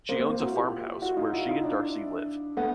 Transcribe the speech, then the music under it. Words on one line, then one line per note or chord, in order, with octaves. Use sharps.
She owns a farm house where she and Darcy live.
A#3 C4
A#3 C4
A#3 C4
E4 F#4
F4 G4
E4 F#4
D#4 F4
E4 F#4
D#4 F4
D4 E4
A3 B3